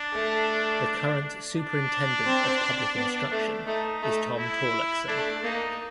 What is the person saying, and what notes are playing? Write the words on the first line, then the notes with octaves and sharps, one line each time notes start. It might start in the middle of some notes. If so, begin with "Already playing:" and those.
The current Superintendent of Public Instruction is Tom Torlakson.
Already playing: D4
A3
D4
C4
B3
A3
A3 D#4
A3
E4
A3 D4
A#3 D#4